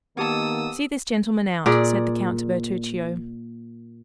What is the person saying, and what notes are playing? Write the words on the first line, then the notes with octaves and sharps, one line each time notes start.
"See this gentleman out," said the count to Bertuccio.
D#3 A#3 B3 G4 A5 D#6 E6
A#2 G#4 D5